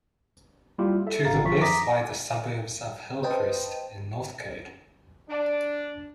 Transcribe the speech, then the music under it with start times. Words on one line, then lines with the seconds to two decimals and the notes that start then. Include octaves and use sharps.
To the west lie the suburbs of Hillcrest and Northcote.
0.78 G3 A#3 E4 F4 G4
1.07 A4 E5
1.25 G#1 D3 A4 F5 A#5 A6
1.44 F#2 F3 E5 C#6 B6
1.61 A#5 D6 D#6 A#6 B6
3.23 B4 C5 D#5 G5 A5
5.29 D4